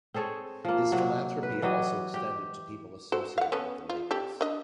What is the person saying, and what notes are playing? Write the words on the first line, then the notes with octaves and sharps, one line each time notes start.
His philanthropy also extended to people associated with the Lakers.
C4 G#4 A4 C#5
F3 A#3
C3 F#3
B4
E3 F#3 G4 D#5
G4 G5
F#4 A4 C5
F5 F#5
B3 C#4 A4
F4
C4 G4 A4
D4 D#5